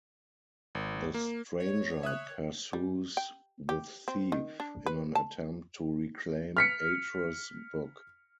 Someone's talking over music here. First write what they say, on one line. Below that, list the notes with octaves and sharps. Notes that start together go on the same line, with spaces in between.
The Stranger pursues the thief in an attempt to reclaim Atrus' book.
G#1
A#3
C#5
E5 D#6 F#6
G3
G5
G4
C4
D#3
D4
B4
A5
F6 B6 C#7